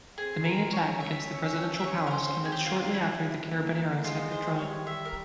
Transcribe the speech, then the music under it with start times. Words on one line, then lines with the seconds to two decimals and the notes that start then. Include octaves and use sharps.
The main attack against the presidential palace commenced shortly after the carabineros had withdrawn.
0.18 C4 G#4
0.45 A#4
0.73 C#4 C#5
1.00 E5
1.28 C#4
1.74 E5
1.83 C#4 C#5
2.07 A#4
2.11 C5
2.39 C4
2.45 G#4
2.52 G4
2.66 F4
2.80 F4
2.94 F3 E4
3.49 A#3
4.04 G#3 F4
4.32 C5
4.59 G3 C#5
4.87 E5
5.05 A#4